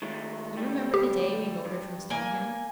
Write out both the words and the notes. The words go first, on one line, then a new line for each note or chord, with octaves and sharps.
'Do you remember the day we motored from Stoneham?
D#3 G#3 A3
D2 G3 A3
G4
G2
A#3 G#5